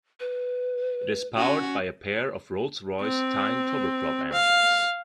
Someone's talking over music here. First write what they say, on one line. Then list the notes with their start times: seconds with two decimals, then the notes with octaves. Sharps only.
It is powered by a pair of Rolls-Royce Tyne turboprop engines.
0.20 B4
1.35 C#4 F#4
3.01 C4
4.32 F5